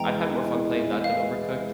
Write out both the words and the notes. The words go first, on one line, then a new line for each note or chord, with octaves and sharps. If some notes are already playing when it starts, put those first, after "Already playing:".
I've had more fun playing that than Overcooked,
Already playing: E2 E3 G#3 G5 A#5
F5